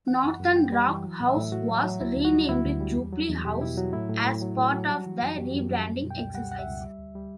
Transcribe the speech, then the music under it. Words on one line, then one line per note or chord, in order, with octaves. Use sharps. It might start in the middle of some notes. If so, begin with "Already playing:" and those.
Northern Rock House was renamed Jubilee House as part of the rebranding exercise.
E3 F#5
F#2
F#2
G3 G5
G3
E3
F#3
A2
E5
A2
A2 F#4
F#3
F#3
D2 E4
D2
F#4
G3
D2 E4
D2
G3
E2
F#3
E2
B2 G4
B2 E4
F#3 F#4
A2 E4
A2
A2
F#3
A2
F#3
G3 F#4
E3
F#2
F#2 G4
F#2
F#2
G3
B2
G5
C#2
G3 F#5
C#2 F#5
E5
C#2
G3
D2
G3